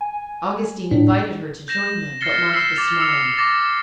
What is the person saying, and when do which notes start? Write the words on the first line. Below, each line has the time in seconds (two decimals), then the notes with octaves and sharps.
Augustine invited her to join them, but Monica smiled.
0.01 G#5
0.91 A2 D4
1.68 G6 A#6 E7
2.21 F6 A6 C7 C#7 G7
2.53 E6 B6 C7 E7
2.76 D6 A6 E7 F7
3.00 E6 C#7 F7
3.37 D6 A6 A#6